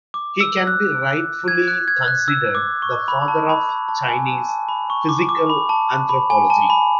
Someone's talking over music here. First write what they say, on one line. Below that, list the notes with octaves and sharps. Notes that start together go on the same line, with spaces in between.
He can be rightfully considered the father of Chinese physical anthropology.
D6
E6
F#6
G#6
F#6
G#6
F#6
E6
D6
C#6
B5
A5
B5
B5
A5
G#5
A5
A5
B5
C#6
D6
D6
B5
A5
B5
G#5
A5
B5